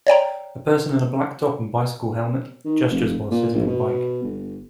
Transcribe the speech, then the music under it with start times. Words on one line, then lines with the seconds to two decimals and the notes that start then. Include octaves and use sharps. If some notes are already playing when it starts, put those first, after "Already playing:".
A person in a black top and bicycle helmet gestures while sitting on a bike.
0.07 C#5 D5 G5 A#5
2.65 D#3
2.90 F1
3.31 A#2
3.54 A#1
3.67 B2
4.23 G1